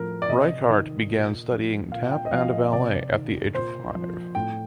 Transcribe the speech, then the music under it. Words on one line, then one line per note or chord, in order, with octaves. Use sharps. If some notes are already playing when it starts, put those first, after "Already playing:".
Richert began studying tap and ballet at the age of five.
Already playing: A2 F3 A#4
D5
C3 D#5
D#3
A#2
F3
A#2 F5
G5
D#5
F3 F5
D#5
C3 D5
D#3
A#2 C5
F3
A2 G5